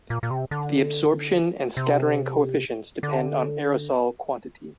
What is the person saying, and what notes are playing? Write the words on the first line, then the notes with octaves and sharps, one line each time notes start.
The absorption and scattering coefficients depend on aerosol quantity.
A#2
A#2
C3
D3
C3
D3